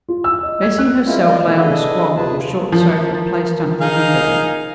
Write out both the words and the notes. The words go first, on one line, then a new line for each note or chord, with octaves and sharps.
Bessy herself lay on a squab, or short sofa, placed under the window.
F4
E6
D#5
G#6
F#6
G#3 A#3 C#4 E4 F4
F4 A#4 D5 D#5 F5
B2 D#3 A3 B3
D4 G#4 A4 B4 D#5 G#5
C3 F4 G#4 B4 A5
F3 A#4
D#4 G#4 F5